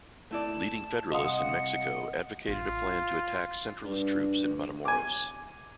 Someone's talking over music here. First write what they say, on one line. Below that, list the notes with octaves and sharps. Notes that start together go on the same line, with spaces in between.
Leading federalists in Mexico advocated a plan to attack centralist troops in Matamoros.
A3 E4 D5 A5
C2 D#5 F5 F#5 C6 D#6
A1 F4
G2
G#5 D6